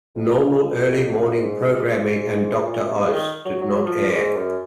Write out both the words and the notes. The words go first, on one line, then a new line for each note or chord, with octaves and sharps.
Normal early morning programming and "Doctor Oz" did not air.
F2
F#2
G#2
A#2
C3
C#3
D#3
F#3
F#3
F3
G#2
F#2